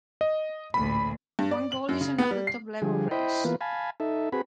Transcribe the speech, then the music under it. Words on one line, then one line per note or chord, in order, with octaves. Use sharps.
One goal is another top-level race.
D#5
A1 D2 A#2 B5
G2
D5
F#7
F#2
C#3
B3
G3
C7
D3 F3 G3 G#4
E4 C5 D#5 G5 B5
E3 A#3 B3 F4 B4
F5 G#5 A5 B5
D#4 A4 E5
C4 F#4 G#4 B4 B5